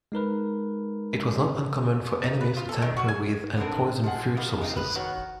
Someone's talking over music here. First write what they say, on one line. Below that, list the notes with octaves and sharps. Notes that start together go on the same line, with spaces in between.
It was not uncommon for enemies to tamper with and poison food sources.
G#3 D#4 A#4 B4
D#4
B4
F4
A4
D#3
F#4
G#5
D3 B3 C4 D4 A#4
F3 G#3 G#4 F#5
A#2 D#3 G3 A#3 B3
G#3 C4 D#4 F4
B4
D#3 F#4 C#5